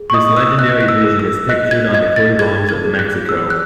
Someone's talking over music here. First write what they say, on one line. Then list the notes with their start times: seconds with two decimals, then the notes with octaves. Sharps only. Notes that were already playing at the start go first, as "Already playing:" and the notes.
This legendary vision is pictured on the Coat of Arms of Mexico.
Already playing: G#4
0.10 C#6
0.14 D#5 D#6
0.37 E6
0.58 D#5 F#6
0.81 F#6
0.88 E6
1.04 G#4
1.19 E6
1.49 D#5 F#6
1.71 G#6
1.94 D#5 G#6
2.16 A6
2.39 G#4 G#6
2.69 G#6
2.84 G#4
2.99 F#6
3.28 G#4 E6
3.50 F#6